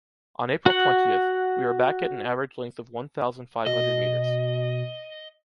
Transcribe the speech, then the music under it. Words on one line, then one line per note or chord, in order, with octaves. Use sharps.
On April twentieth, we were back at an average length of one thousand five hundred meters.
F#4 F#5
B2 D#5